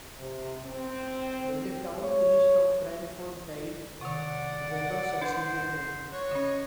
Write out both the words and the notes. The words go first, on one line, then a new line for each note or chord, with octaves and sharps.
When the town priest of Frankfurt died, Weber succeeded him.
C3
C4
C#5
C3 D#3 D5 F#5
D4 B4 C5
F#4 C#5
D3 C#4 D#5